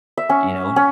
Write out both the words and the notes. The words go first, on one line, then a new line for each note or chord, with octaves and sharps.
You know,
E5
C#4
C#4